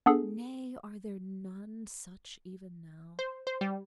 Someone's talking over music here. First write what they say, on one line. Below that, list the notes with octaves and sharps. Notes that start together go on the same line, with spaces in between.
Nay, are there none such even now?
B3 D4 G#4 A4
C5
C5
G3